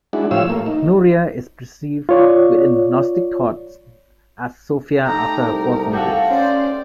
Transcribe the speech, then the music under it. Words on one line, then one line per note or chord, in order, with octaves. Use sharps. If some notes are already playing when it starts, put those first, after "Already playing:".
Norea is perceived within gnostic thought as Sophia after her fall from grace.
G#3 D4 E4 F#4
A2 F3 G4 C#5 F5 E6
A3 A#3
D#4
F4 C#5 D5
A3 D#4 G4 A#5
C2 A#4
F#4 G4 A4 F5
C#4 C5 D5